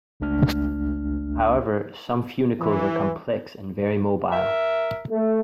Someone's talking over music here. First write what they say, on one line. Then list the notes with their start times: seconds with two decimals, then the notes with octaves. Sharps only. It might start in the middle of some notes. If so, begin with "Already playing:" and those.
However, some funicles are complex and very mobile.
0.20 G1 C#2 A3 D4 F6
2.60 E3
4.32 A#4 E5
5.10 A3